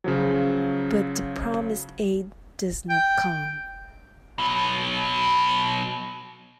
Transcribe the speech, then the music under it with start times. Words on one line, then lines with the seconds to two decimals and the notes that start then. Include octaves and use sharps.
But the promised aid does not come.
0.04 C#3 F3 F#3
2.89 G5
4.39 B2 F#3